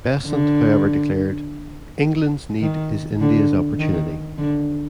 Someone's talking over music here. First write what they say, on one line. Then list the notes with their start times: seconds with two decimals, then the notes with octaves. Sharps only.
Besant however declared, "England's need is India's opportunity".
0.26 D3
2.61 D#3
3.20 D3
3.79 D#3
4.38 D3